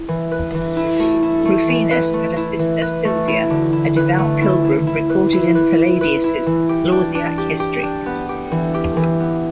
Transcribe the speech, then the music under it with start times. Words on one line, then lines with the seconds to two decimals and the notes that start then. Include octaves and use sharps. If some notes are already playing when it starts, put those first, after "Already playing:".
Rufinus had a sister, Silvia, a devout pilgrim recorded in Palladius' "Lausiac History".
Already playing: E4
0.08 E3
0.31 B4
0.54 E3
0.77 E4
1.00 A3
1.23 E4
1.45 A3
1.68 E3
1.91 B4
2.14 A3
2.36 E4
2.59 E3
2.82 B4
3.05 A3
3.28 E4
3.50 D3
3.73 E4
3.96 B4
4.18 A3
4.41 E4
4.65 E4
4.87 E4
5.10 B4
5.33 E4
5.55 B4
5.78 E4
6.01 B4
6.24 E4
6.46 E3
6.69 G4
6.92 D4
7.15 D4
7.38 G4
7.60 G4
7.83 D4
8.06 B3
8.29 G4
8.52 E3
8.74 G4
8.97 E3
9.20 B3